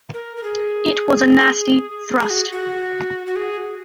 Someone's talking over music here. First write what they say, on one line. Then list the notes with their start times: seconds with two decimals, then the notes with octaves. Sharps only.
It was a nasty thrust.
0.14 A#4
0.37 A#4
0.43 G#4
2.19 G#4
2.30 F#4
2.52 F#4
3.27 F#4
3.36 G#4